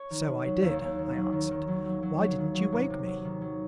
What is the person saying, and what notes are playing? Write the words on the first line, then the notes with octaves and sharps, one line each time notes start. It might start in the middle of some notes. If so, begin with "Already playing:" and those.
"So I did," I answered; "why didn't you wake me?"
Already playing: C#5
D#3
D#3
F#3
D#2
D#2
D#3
F#3
D#3
D#3
F#3
F#3
F#3
F#3
D#3
F#3
C3
C3
F#3
D#3
F#3